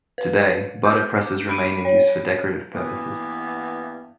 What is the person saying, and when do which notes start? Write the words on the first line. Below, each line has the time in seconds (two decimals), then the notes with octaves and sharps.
Today, butter presses remain in use for decorative purposes.
0.18 B4
0.84 D6 G6
1.49 B5 D7 D#7
1.85 C#5
2.72 G2 E3 A#3 B3